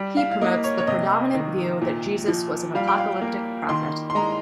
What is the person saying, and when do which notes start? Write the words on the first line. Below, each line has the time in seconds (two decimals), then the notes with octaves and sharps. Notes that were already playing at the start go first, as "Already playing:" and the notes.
He promotes the predominant view that Jesus was an apocalyptic prophet.
Already playing: G3
0.17 F5
0.31 F5
0.41 A#3 D#5
0.64 C#5
0.78 C#5
0.87 C3 D#5
1.35 D#3
1.81 A#2
2.28 F3
2.75 G3 F5
2.88 G5
2.98 F5
3.22 A#3
3.69 D#3 C6
4.10 C6
4.15 G#3 A#5